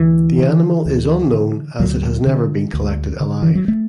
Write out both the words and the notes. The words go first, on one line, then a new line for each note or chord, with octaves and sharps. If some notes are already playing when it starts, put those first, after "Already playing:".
The animal is unknown as it has never been collected alive.
Already playing: D2 E3
D3
D2
D3
D2 F#3
D3
D2
D3
E3
F#3
A3